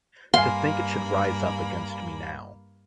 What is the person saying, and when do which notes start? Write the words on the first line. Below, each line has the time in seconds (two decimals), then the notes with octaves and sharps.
To think it should rise up against me now!
0.34 G2 A#3 F5 G#5 B5 C6